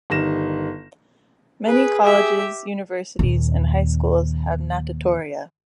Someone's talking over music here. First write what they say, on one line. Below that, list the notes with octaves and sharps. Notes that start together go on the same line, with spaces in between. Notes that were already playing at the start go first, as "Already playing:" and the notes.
Many colleges, universities and high schools have natatoria.
G1 D#3 G3 A#6 E7
G#4 B4
G4 E5
D#2 A#2